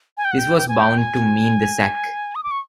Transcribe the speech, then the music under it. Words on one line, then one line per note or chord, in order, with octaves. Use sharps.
This was bound to mean the sack.
G#5
G5
F#5
G5
G5
G#5
G5
G#5
D#6
D6
C#6